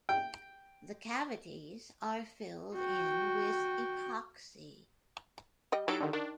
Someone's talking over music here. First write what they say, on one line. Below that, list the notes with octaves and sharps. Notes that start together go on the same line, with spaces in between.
The cavities are filled in with epoxy.
G5
F#4 G5
G3 D#5 G5
F#3 G3 D#4 E4 A4 D7
D3 D#3
D#3 D4